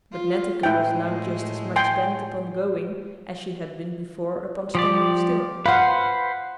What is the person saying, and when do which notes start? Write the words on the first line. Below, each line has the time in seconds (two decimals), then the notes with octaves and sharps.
But Netteke was now just as much bent upon going as she had been before upon standing still.
0.12 F4
0.63 A2 G#3 E4 G5
1.76 G5 G#5 C6
4.75 F3 G4 D5
5.66 B4 C5 F5 F#5